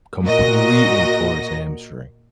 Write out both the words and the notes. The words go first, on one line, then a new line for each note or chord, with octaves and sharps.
completely tore his hamstring.
A#2 F#4 A#4 D#5 A#6